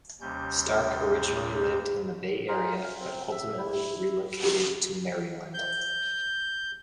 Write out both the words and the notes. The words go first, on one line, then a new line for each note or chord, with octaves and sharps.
Stark originally lived in the Bay Area, but ultimately relocated to Maryland.
D#2 C3 G3 C#4 G6
D#4 F4 G#4 A#4
F5
C4
E5
E4
G6